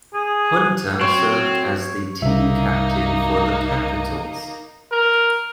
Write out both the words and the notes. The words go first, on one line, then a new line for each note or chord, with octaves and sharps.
Hunter served as the team captain for the Capitals.
G#4
F#3 C4 C#5
C2 A#3 D#4 E5
A#4